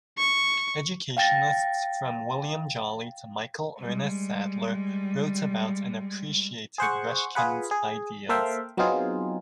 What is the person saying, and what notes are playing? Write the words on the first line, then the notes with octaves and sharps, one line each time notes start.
Educationists from William Jolly to Michael Ernest Sadler wrote about and appreciated Ruskin's ideas.
C#6
F5 G5 A6 A#6
G3 G#3
G#4 C5 F#5 C#6
F4 G#4 B4 F#5
G#4
A#3 A4 C5 E5 F5 G5
F#3 B3 C4 D#4 F4 G#4